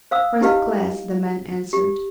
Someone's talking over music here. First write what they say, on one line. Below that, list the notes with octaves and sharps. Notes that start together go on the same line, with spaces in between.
"First-class," the man answered.
C5 F5 D#6 E6
D#4 E4 G4 B4 D#5 F5
G4